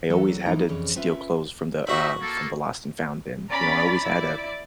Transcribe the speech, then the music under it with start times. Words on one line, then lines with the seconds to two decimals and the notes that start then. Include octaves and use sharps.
I always had to steal clothes from the, uh from the lost and found bin, you know, I always had a
0.10 E3 F#3 G3 B3 A4 B4
0.46 D#2 E3 A#3 D#4 A#5
0.68 F2 C3 E3 C#4 G#4 D5
0.95 C#4 E4 F4 B4 E5
1.87 D#4 F#4 E5 B5
2.20 A#3 A4
3.50 C#4 D5 A#5 B5 A6
4.04 E4 D5